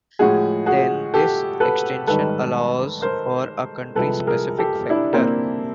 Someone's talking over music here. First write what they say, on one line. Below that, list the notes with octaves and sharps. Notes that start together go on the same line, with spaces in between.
Then this extension allows for a country specific factor.
A2 F3 G#3 F#4 G#4
F#4 G#4
G4 A4
A4 B4
G#2 D#3 G3 A4 B4
A#4 C5
C2 C3 F3 G#3 A4 B4
G#4 A#4
G4 A4
D4 E4
A#3 C4